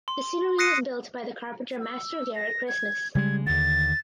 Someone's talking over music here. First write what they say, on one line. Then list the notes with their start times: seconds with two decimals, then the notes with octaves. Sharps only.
The scenery was built by the carpenter Master Garret Christmas.
0.08 C6
0.58 D#6 F#6 A#6 C7 C#7 D#7
1.81 E6
2.35 A#6
2.68 G#6
3.15 C#3 G3 G#3 G#6
3.47 D#2 D3 A6